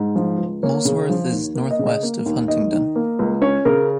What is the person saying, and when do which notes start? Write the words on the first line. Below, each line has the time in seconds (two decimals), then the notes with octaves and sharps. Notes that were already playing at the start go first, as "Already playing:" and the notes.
Molesworth is north-west of Huntingdon.
Already playing: G#2
0.16 F3
0.38 C#2
0.63 A#3 C#5
0.85 C#3
1.10 F3
1.32 D#2
1.55 A#3
1.71 D#5
1.79 C#3
1.86 D#5
2.03 A#3
2.26 D#2
2.48 D#2 D#5
2.72 D#3
2.96 A#3
3.19 C#2
3.42 C#4 C#5
3.65 C#3 A#4